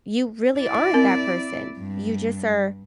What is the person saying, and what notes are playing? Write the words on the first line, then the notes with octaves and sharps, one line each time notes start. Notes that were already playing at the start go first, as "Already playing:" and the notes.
you really aren't that person. You just are
E4 D5
C4 A#4
G2